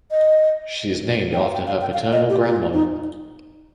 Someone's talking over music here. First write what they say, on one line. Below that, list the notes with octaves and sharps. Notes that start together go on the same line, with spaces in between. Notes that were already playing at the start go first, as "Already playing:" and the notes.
She is named after her paternal grandmother.
D#5
G5
F5
G5
F5
G5
F5
D#5
G4
F4
D#4